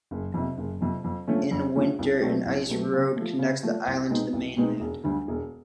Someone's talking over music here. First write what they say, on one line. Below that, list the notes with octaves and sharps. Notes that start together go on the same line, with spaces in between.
In winter an ice road connects the island to the mainland.
F#1
F2 C3
F#1
F2 C3
F2
D3 F3 A3 C#4
F2
D3 F3 A3 C#4
C2
B2 F#3 A3 C4
C2
B2 F#3 A3 C4
C#3
F3 A3
C#3
F3 A3
C2
B2 G#3 C4 D#4
C2
B2 G#3 C4 D#4
E1
D2 D3 G3
E1